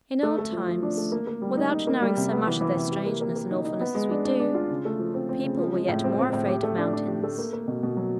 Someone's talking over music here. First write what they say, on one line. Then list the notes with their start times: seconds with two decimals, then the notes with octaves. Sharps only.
In old times, without knowing so much of their strangeness and awfulness as we do, people were yet more afraid of mountains.
0.23 A3
0.38 A3
0.52 F3
0.68 F3
0.83 D4
0.97 A3
1.12 A#3
1.27 A#3
1.42 G3
1.57 D#4
1.71 D#4
1.87 A#3
2.02 G3
2.17 C3
2.32 B3
2.47 E3
2.61 E3
2.76 C3
2.92 G4
3.06 A#3
3.21 A#3
3.36 A#3
3.51 D#4
3.65 D#4
3.80 B3
3.95 G#3
4.11 D4
4.25 D4
4.40 D4
4.55 F4
4.70 C#3
4.85 A3
4.99 F3
5.14 C4
5.29 C4
5.44 C#3
5.59 F3
5.74 G#3
5.88 A2
6.04 C4
6.19 C4
6.33 A2
6.48 G4
6.63 A3
6.78 D4
6.93 D4
7.08 G4
7.23 A3
7.38 A#3
7.53 A#3
7.68 B2
7.83 B2
7.97 F#3